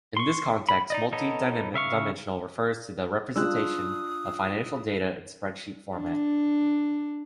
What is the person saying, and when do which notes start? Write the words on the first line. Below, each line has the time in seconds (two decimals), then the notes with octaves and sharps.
In this context, "multi-dimensional" refers to the representation of financial data in spreadsheet format.
0.17 C6 C#6
0.69 B5
0.90 D#4 D5 D#5
1.13 B3 D#4 A4 C#5 D#5
1.74 C#3 E5 F5 C#6
3.36 G3 G#3 D4 F4 D#6 E6 F#6
5.96 D4